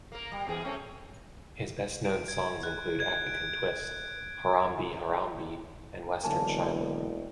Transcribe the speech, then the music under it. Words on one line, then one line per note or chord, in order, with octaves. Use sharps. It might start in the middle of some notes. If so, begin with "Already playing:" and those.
His best-known songs include "African Twist", "Harambee Harambee" and "Western Shilo".
A#3 A#4
G3
B2 E3 G#4
A3 C4 C#4
D7
G#6
F#6
G#6
D7
E1 D3 F#3 A#3 C#5 G#5 A5